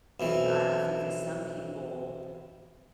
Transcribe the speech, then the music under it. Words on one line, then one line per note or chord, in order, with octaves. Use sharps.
I I think that some people
B1 F2 E3